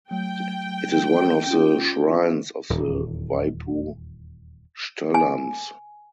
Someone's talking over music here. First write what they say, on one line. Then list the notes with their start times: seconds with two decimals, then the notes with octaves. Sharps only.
It is one of the shrines of the Vaippu Sthalams.
0.11 F#3 A3 G5
1.47 C#4 F4
2.70 D#1 E2
5.14 G#5